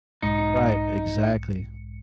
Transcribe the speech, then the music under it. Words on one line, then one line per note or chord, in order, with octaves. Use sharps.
Right, exactly.
B1 G#2 D#4 C#7